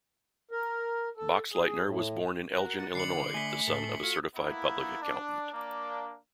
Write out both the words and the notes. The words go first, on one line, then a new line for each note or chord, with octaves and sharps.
Boxleitner was born in Elgin, Illinois, the son of a certified public accountant.
A#4
A4
G#4
A2
F#4 A#4
F#6 A6 C#7
D3 B5 C7 C#7 F#7
A3 G#5 B6 G7
A2 A4
F4 F#4 A4 C#7
A#3 B3 E4
D4
A#3 D4